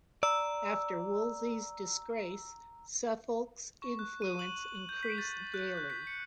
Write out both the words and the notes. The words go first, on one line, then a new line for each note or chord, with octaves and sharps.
After Wolsey's disgrace, Suffolk's influence increased daily.
D5 A#5 E6
C#6
F#6
D#7
F#7
F#7
G6
B6
A6
F#6
F#6
B6
C#7